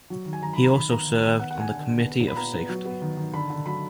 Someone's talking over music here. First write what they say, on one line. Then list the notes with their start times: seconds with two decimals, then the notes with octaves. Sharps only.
He also served on the Committee of Safety.
0.10 F#3
0.26 D#3
0.33 G#5
0.42 D#3 A#5
0.53 B5
0.59 D#3
0.64 A#5
0.75 D#3 B5
0.91 B3 A#5
1.07 D#3
1.24 D#3
1.39 B3 F#5
1.51 F#5
1.55 B3
1.61 G#5
1.72 D3
1.88 D3
2.04 B3
2.20 A#2
2.28 B5
2.36 B3 A#5
2.53 B3
2.69 F#3
2.85 B3
3.02 D#3
3.17 D#3
3.34 D3 B5
3.50 D3
3.66 F#3 B5